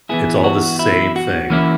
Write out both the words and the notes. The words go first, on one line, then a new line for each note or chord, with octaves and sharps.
It's all the same thing.
E3 B3 E4 G#4
F#4
E4
F#4
E3 A#3 C#4 E4